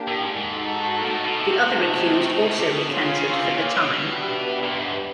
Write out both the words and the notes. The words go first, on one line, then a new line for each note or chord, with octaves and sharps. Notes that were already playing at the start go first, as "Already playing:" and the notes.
The other accused also recanted for the time.
Already playing: A#3 D4 G4
A2
G#2
G#2
D#4 F#4 A4
A#2
A2
B2
C3
A3 C4 D#4
C#3
C3
B2
B2
C3
B2
F4 G#4 C#5 F5
C#3
C#3
C3
B2
A#2
B2
B2
B3 D4 G4 B4 E5
A#2
G#2